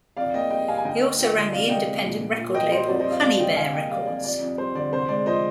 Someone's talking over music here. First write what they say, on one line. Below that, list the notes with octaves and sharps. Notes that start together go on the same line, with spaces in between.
He also ran the independent record label Honey Bear Records.
F2 D5 F5
A#3 D#5 G5
G3 D#5 G5
C3 F5 G#5
G#5
D2 D#5 G5
A#3
F3 D#5 G5
D3
D#5
C2 D5 F5
C2 D#5 G5
G#3
A#2
A#2
A#2
A#3 D#5 G5
G3 C5 D#5
F2 D5
C5 D#5
F2
D5 F5
G#3 D5 F5
D3 D#5 G5
C2 F5 G#5
A#3 D#5 G5
G3 D5 F5
C3 D5
F2 D5
F2
G3 C5
D3 D5
C2 C5
G#3 D5
F3 C5 D#5